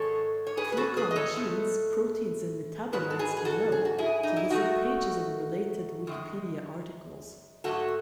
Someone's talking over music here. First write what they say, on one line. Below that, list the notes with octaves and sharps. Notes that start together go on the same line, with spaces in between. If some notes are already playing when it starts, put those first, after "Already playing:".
Click on genes, proteins and metabolites below to visit pages and related Wikipedia articles.
Already playing: G#2 D#3 G#3 A4 C#5
C#5
G#4 B4
B4
F#4 A4
G#4 B4
D#5
A4 C#5
A2 G#3
G#2 D#3 F#3 B4
A4
G#4 B4
G#4
F#4 A4
G#4
F#4
E4 G#4
D#4
E4
A2 F#3 A3 D#4 F#4
F#2 D#3 G#3
G#2 F#3 A3 F#4 A4